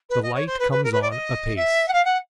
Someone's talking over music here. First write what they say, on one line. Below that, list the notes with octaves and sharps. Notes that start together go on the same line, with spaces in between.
The light comes on apace.
B4
D#5
C#5
C5
B4
B4
A#4
B4
D5
D#5
E5
F#5
F5
F#5